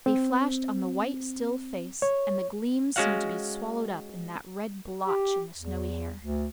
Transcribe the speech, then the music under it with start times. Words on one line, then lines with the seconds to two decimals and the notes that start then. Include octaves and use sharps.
They flashed on the white, still face, and the gleams seemed to be swallowed up in that red blotch in the snowy hair.
0.06 C4
2.02 C#5
2.96 G#3 C#4 F#4 F5 F#5
5.07 G4
5.57 E2
6.20 D2